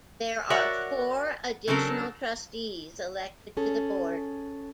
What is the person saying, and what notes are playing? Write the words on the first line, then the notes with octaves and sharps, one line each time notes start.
There are four additional trustees elected to the Board.
F#4 A#4 C#5 D5 E5 F#5
C#3 F#3 C4 D4 A4 A#4
C#4 G#4 A4